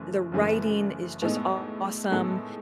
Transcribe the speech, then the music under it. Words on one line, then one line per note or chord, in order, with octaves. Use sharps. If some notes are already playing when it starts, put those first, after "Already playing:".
the writing is just awesome,
Already playing: F#1 F#2 E3 A3
F#1 F#2 E3 A3
A2 G#3 B3 D#4 A4
A2 G#3 B3 D#4 A4